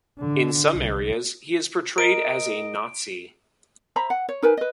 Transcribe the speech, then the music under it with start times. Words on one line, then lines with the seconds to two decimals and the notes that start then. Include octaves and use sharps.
In some areas, he is portrayed as a Nazi.
0.19 D3
0.72 C2
1.98 A#4 D#5 D7
3.96 C5 E5 A#5 B5
4.10 F#5
4.29 C#5
4.42 D#4 A#4 B4 G#5
4.57 B4 D#5